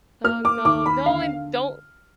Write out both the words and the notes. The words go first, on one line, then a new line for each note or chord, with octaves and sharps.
Oh, no. No, and don't
A#3 F6
D6
D#2 D6
B5
D3 F5